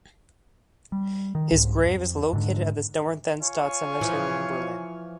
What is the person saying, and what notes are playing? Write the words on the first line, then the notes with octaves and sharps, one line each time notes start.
His grave is located at the Dorotheenstadt Cemetery in Berlin.
G3
D#3
C2 G#2
F2
G#2 D3
F4 C#5 G#5
E3 F3